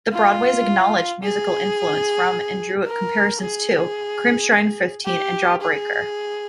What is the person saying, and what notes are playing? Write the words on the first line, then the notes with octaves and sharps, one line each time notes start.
The Broadways acknowledged musical influence from and drew comparisons to Crimpshrine, Fifteen and Jawbreaker.
F4
G#4
A#4
G#4
G4
G#4